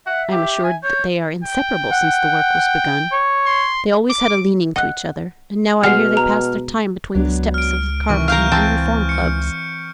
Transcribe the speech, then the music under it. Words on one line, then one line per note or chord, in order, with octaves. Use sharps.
"I am assured that they are inseparable since the work was begun. They always had a leaning to each other, and now I hear they pass their time between the steps of the Carlton and Reform Clubs."
E5 F#5
G4
G#5
C#5 G6
G5
F#5
C#5
C6
D6
D#5 F#5 F#6
B2 G#3 F#5 F6 C7
A#5
C#2 F#3 B3 D4
F6 D7
C3 D#3 E3 C#6
A#4 F5 F6 G6
E3 C4 A5
C#7